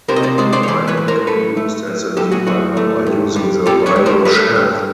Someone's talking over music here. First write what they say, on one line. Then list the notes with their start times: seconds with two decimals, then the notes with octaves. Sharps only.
Rhino can be used as a debugger by using the Rhino shell.
0.08 C3 A#4 C5
0.16 D#5
0.23 C5 D5
0.38 G#3 C5 D5
0.53 C5 D5
0.63 C#5
0.68 E3 C5 D5
0.88 B4 C#5
0.97 A2
1.08 A#4 C5
1.27 A2 A4 B4
1.57 A3
1.87 A2
2.17 F#3 G4 A4
2.32 F#4 G#4
2.47 A2 F#4 G#4
2.77 A3
3.07 G2
3.36 G3
3.66 G3 G4 A4
3.86 B4 C#5
3.96 G3
4.06 A#4 C5
4.25 A3 A4 B4
4.56 G2